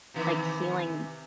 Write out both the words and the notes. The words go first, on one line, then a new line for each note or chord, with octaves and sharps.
like healing
C3 D#3 E3